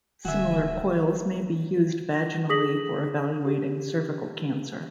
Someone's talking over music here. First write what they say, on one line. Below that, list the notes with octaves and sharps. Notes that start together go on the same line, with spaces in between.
Similar coils may be used vaginally for evaluating cervical cancer.
D1 D3 F#4 E5 G#5 E6
A#6
G#4 D#6 A#6 B6 F#7
G4